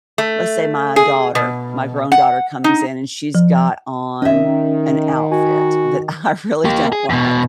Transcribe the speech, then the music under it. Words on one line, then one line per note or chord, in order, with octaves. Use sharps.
let's say my daughter, my grown daughter, comes in, and she's got on an outfit that I really don't like.
A3
G#4
B2
F#5
D#4
F3
D#3 C#4 D#5 E5
F#4 G#5
A#3 G4
G#4
E2 B2